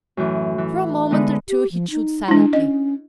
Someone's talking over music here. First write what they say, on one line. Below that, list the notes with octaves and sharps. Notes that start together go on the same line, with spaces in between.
For a moment or two he chewed silently.
F#2 A2 E3
E3
D3 G#3 B3 D#4 B4 D5
G4
F3
D#4
G#3 D4 E4
C#4 D#5